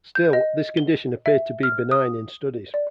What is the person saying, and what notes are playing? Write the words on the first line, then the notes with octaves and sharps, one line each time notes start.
Still, this condition appeared to be benign in studies.
G6
D#5
G7
E5
F6
D#6
D5